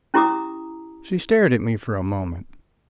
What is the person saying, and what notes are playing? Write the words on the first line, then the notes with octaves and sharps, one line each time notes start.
She stared at me for a moment.
C#4 E4 G4 A#5 D6 D#6